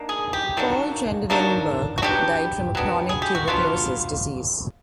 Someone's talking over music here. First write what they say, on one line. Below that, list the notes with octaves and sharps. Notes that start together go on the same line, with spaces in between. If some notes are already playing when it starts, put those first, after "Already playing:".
Paul Trendelenburg died from a “chronic tuberculosis disease”.
Already playing: D#3 A#3 D4
G#4
G4
D#3 F#3 A#3 D4
D#3 F#3 A#3 D4
F#4
F#3 B3 D4 G4
F#3 B3 D4
G#4
G4
F#4
F#3 B3 D4 F4